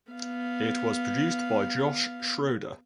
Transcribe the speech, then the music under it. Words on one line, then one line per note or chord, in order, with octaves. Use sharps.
It was produced by Josh Schroeder.
B3 F5